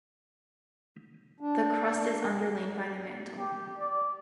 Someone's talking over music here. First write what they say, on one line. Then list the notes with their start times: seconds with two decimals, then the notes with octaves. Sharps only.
The crust is underlain by the mantle.
1.40 D4
3.38 G4
3.78 D5